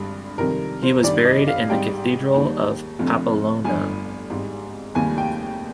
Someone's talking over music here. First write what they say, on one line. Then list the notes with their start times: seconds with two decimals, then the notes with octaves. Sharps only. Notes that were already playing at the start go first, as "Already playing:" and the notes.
He was buried in the Cathedral of Pamplona.
Already playing: G#1 G2 D3 G3
0.38 F2 C3 D#3 G3 A#4
0.82 C5
1.03 G1 G2 D#3 G3 D5
1.25 D#5
1.47 F5
1.70 G#1 G#2 G3 G5
2.34 D#2 D#3 G3
2.99 F1 F2 D3
3.64 G1 G2 D3 G#5
4.30 G#1 G#2 G3
4.95 F1 D#2 D#3 G3 G#5
5.18 G5